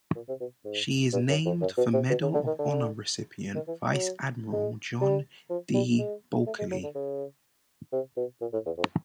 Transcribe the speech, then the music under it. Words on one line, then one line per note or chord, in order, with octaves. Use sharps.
She is named for Medal of Honor recipient Vice Admiral John D. Bulkeley.
A#2
C3
B2
G#2
G2
F#2
F2
F#2
B2
C3
B2
C#3
D3
D#3
D3
D#3
E3
F#3
G#3
G3
F3
G3
G#3
A3
G#3
F#3
D3
C#3
C3
B2
A#2
A2
E2
F2